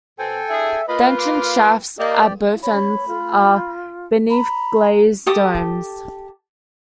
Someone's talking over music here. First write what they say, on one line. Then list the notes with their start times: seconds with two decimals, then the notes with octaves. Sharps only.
The entrance shafts at both ends are beneath glazed domes.
0.19 B2 C4 A4 G5 G#5
0.50 D4 E4 G#4 E5
0.88 A#3 F4 B4 D#5 B5
1.18 C6 D6 F6
1.99 A#3 G4 D5 D#5 G5
2.63 C#5 B5
3.08 F4
4.30 A#5 B5
5.26 G4 A4 A5 D#6